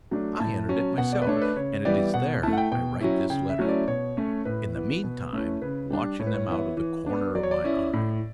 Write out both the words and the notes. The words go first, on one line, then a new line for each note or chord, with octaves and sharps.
I entered it myself, and it is there I write this letter, in the mean time watching them out of the corner of my eye.
F#3 A3 D4
A2 A5
F#3 C#4
B2 F#5
D5
B4
A3 D4 C#5
A4
B4
C#3 C#5
E3 G3 B3 E4 D5
B2 F#5
A3 E4 A5
F#5
G5
B2 G5
F#3 C#4 E4
C#3 G5
E5
F#3 A3 C#4 E4
D5
B2 C#5
A3 C#4
A2 B4
E3 B3
B2
A3 C#4 E4
C#3 B4
G3 D4
A2 C#5
B4
C#5
E3 B3 E4
E3
B3 D4
F#3 D5
C#5
D5
C#4 E4
A2